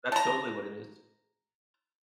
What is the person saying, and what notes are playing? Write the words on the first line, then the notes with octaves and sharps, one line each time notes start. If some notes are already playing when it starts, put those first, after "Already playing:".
That's totally what it is.
A5 A#5